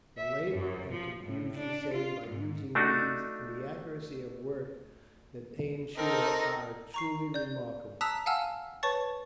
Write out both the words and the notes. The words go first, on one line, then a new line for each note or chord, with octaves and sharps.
The labour and confusion saved by using these, and the accuracy of work that they ensure, are truly remarkable.
E5
F#2
F3
A2
D4
F4
G#2
A3 D4 D#4 F#4
C4 D#4 A4 A#4
A#5 C#6 C7
D5 G6
A5 A#5 D#6 E6 F#6 B6
F5 F#5 G#5 A5 E6 F6
B4 C#5 A5 C#6 A6